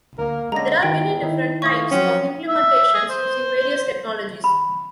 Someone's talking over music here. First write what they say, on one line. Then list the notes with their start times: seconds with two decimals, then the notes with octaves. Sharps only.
There are many different types of implementations using various technologies.
0.19 D2 A#3 A#4
0.52 D3 G#3 A#3 C#4 A4 D#5 A#5 A#6
0.83 E2 G#2 D#3 F#4 G5
1.22 D#3 D#4 E4
1.62 A3 F4 C#6 D#6
1.91 F3 F#3 C4 C#4 F#4
2.49 E5
2.94 G#4
3.10 C5
4.44 B5